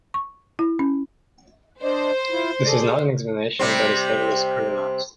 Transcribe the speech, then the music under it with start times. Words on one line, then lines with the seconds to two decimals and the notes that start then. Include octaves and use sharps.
This is not an examination but is heavily scrutinised.
0.14 C#6
0.59 E4
0.79 C#4
1.82 D4 C5 D5 D#5
2.30 E4 F4
2.65 G#4 A4 D5
3.59 C3 G3 C4